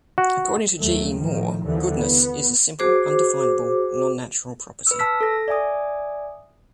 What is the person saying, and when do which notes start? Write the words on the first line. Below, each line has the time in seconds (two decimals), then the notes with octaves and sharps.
According to G. E. Moore, Goodness is a simple, undefinable, non-natural property.
0.18 F#4
0.78 D#2 F#3 A3
1.16 A2 D#3 F3
1.64 D#2 D3 E3 F3
1.95 B3
2.79 F#4 G#4 C5 D6
4.87 B4 E6
4.99 A5 E6 F6 B6
5.21 A4 A#6
5.48 D5 E5 G#5 D#6